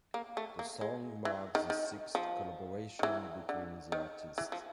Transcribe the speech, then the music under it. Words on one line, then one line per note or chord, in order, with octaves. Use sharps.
The song marks the sixth collaboration between the artists.
A#3
A3
A#3
G#3
E3
D#3
D#3
F3
D#3
E3
D3
D#3
E3
F3